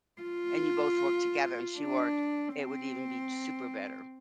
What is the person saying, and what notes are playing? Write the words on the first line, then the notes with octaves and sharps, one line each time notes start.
and you both work together, and she worked, it would even be t super better.
F4
D4
C4